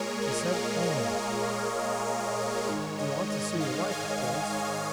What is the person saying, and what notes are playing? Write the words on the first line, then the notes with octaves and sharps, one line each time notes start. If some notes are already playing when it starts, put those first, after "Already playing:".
He said only, "You want to see your wife, of course?"
Already playing: A#2 G#3 G#4 A#4 C#5
D#5
F5
D#5
G#2 D#3 G#3 C#5
D#5
D#5
F5
G#5
F5
C#5